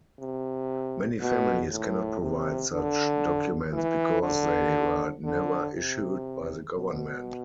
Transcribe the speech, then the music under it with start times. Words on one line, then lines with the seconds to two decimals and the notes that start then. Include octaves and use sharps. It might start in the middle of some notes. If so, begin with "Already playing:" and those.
Many families cannot provide such documents because they were never issued by the government.
0.19 C3
1.20 B2
1.71 A2
2.21 C3
2.72 D3
3.73 E3
4.23 D3
5.24 D3
5.75 C3
6.76 B2